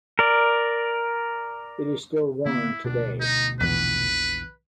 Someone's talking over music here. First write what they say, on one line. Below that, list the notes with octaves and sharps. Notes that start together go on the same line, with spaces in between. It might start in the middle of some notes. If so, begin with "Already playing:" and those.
It is still worn today.
A#4 D5
D3 A#3 B3 E4
D2 B2 D4
D#4
A#1 E2 B4